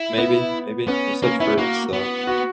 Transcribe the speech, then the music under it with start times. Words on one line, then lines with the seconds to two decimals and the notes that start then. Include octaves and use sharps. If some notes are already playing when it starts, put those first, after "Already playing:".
maybe maybe. You said fruits, so,
Already playing: E4
0.18 B3
0.88 B3 C#4
1.22 A#3 C#4
1.40 B3 E4
1.58 A#3 F#4
1.93 B3
2.27 F#4